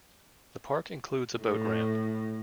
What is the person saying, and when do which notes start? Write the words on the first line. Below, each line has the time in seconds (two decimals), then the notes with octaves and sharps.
The park includes a boat ramp.
1.41 A2